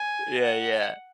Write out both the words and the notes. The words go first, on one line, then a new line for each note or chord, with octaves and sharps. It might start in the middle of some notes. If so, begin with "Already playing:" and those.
yeah, yeah,
Already playing: G#5
F#5